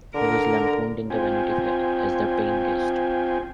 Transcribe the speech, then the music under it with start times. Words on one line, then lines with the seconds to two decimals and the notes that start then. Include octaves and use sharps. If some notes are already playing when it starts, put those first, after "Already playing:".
He was lampooned in "Vanity Fair" as "the paying Guest".
0.14 D3 A#4
1.10 C4 F4 G5 G#5